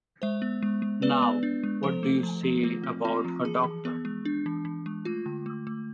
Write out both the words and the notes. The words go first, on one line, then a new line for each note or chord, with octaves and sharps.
Now, what do you say about her doctor?
G#3 C5 E5
B3
G#3
G#3
B3 B4 D5
B3
D4
G#3
F3 A4 C5
A3
F3
F3
A3 F4
C4
C4 F4
F3
E3 G#4
E3
B3
G#3
D4
E3
E3
G#3
A3 F4
D3
A3
A3